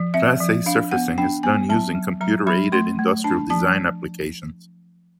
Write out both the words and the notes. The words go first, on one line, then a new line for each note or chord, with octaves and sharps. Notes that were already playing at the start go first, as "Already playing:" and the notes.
Class A surfacing is done using computer-aided industrial design applications.
Already playing: F3
C4 E5
F3
D4 F5
B3 F#5
D4 G5
B3 G#5
F#3 A5
F#3
F#3 A#5
F#3 B5
A3 C6
A3
D4 A5
F3 A5